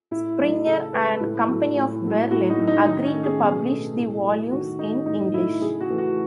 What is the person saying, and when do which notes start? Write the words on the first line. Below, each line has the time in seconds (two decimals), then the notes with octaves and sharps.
Springer and Company of Berlin agreed to publish the volumes in English.
0.11 A2 E4
0.38 F#3 A3
0.66 C#3 A4
0.93 G#3 B4
1.21 A2
1.48 F#3 A3
1.76 A2
2.04 F#3 A3
2.31 A2 F#4
2.50 D#4
2.59 F#3 A3
2.67 D#4
2.86 D#3 D#4
3.04 C#4
3.14 A3
3.23 G#4
3.42 B2 G#4
3.68 A3
3.97 A2
4.23 F#3 A3
4.51 D#3 F#4
4.78 A3 D#4
5.06 A2 D#4
5.34 F#3 A3 E4
5.61 C#3 G#4
5.80 F#4
5.89 E3 A3
5.98 F#4